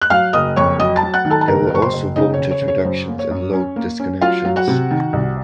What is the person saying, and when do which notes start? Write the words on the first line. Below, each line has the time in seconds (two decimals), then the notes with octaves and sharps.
There were also voltage reductions and load disconnections.
0.02 F#6
0.10 F#3 F5 F6
0.33 F#1 D#5 D#6
0.56 F2 C#5 C#6
0.79 F#3 D#5 D#6
0.96 A5 A6
1.02 F#3
1.14 F#5 F#6
1.25 D#3
1.30 A4 A5
1.41 A5
1.48 F#1 A#4 A#5
1.71 F#1 C#6
1.82 C5 C6
1.94 F#1
2.16 C#3 D#4 D#5
2.34 C#5
2.39 C#3
2.51 C#5
2.62 C#3
2.68 C#5
2.85 F#2 C5
3.08 A#3
3.19 C#5
3.31 F#2
3.53 C#4
3.76 A#3
4.00 C#4
4.21 F#3 F4 F5
4.45 F#3
4.56 F#4 F#5
4.68 C3
4.91 D#3
5.13 C2